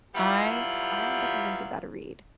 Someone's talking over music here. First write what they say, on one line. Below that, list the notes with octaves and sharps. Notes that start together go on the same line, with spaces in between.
I I'm definitely gonna give that a read.
F#3 G3 B3 E4 F4 G4